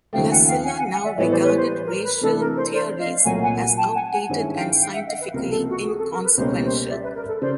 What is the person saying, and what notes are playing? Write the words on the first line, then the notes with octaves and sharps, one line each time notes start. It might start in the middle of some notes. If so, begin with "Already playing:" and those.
Lassila now regarded racial theories as outdated and scientifically inconsequential.
D#2 C#3 F3 A3 F5 G5
F#5 G#5
F5 G5
F#5 G#5
F#5 G#5
F#5 G#5
D5 E5
A2 E3 G3 B3 C#5 D#5
C5 D5
B4 C#5
C5
A#4
B4
C3 E3 A3 D4 A4
A#4
C5
C5 D5
D#5 F5
C2 A#2 F#3 A3 F#5 G#5
F#5 G#5
G5 A5
F#5 G#5
F#5 G#5
G2 D#3 G#3 C#4 E4
F5 G5
F5 G5
E5 F#5
D#5 F5
B4
C#2 C3 F3 A#3 A#4
A4
F#4
G#4
A4
A#4
B4
C#2 B2 G3 A#3 C#4 C5
C5
D5 E5
B4
A#4
A4
C#3 C5 D5